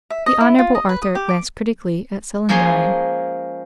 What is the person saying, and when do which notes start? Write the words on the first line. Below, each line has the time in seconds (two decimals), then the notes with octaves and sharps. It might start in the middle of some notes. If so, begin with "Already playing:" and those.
The Honourable Arthur glanced critically at Celandine.
0.10 E5
0.26 D#5
0.41 E4
0.59 F4
0.75 D#5
0.89 B4
1.02 D#6
1.15 G4
1.29 D6
2.49 F3 G#3 A#3 C#4 G#4 C6